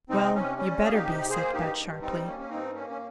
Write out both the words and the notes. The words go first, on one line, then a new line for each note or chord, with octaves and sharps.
"Well, you better be," said Budd sharply.
C3 C4 D#4
C3 C#4
G3 C#4
A#3 G#4
D#4 G4
C3
A#3 G#4 C5
G2 D#4 G4
G2
G3 C4 D#4
A#3 C#4
C#4
G2 C4 D#4
A#3 C#4
C#4